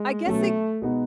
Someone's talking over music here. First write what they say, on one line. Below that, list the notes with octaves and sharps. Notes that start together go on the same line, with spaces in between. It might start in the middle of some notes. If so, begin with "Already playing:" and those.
I guess it
Already playing: G#3
B2 F#3 A3 C#4
B2 G#3 B3 D#4 F#4